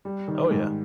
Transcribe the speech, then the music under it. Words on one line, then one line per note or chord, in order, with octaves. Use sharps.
Oh, yeah.
G3
D#3
G#2